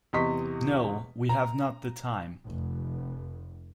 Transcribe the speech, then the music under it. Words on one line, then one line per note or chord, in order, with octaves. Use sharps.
No, we have not the time.
E2 C3 D#5 C6 C#6 B6
A#5
F1